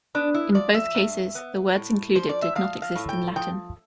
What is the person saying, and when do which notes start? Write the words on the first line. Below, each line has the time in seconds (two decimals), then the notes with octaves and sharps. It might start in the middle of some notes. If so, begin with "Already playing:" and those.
In both cases, the words included did not exist in Latin.
0.15 B3 D4
0.34 E4
0.54 F3 D5
0.74 E5
0.95 G2
1.35 B3
1.75 A2
2.15 F3 C5
2.29 D5
2.42 E5
2.55 F3 F5
2.82 F5
2.96 A2
3.09 G5
3.36 F3 G5